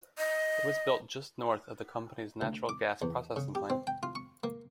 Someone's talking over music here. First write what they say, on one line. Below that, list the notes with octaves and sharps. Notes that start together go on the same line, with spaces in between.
It was built just north of the company's natural gas processing plant.
D#5
D2
D6
E2
C#3
G4
C4
G5
F4
C#6
A#3